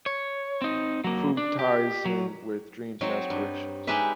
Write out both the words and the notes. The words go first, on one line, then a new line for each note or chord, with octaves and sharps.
food ties in with dreams and aspirations
C#5
C4 D#4
F#3 A#3
D4
G4
F#3
F#3 C4 D#4
G2
G#3 D#4 G4 B4 E5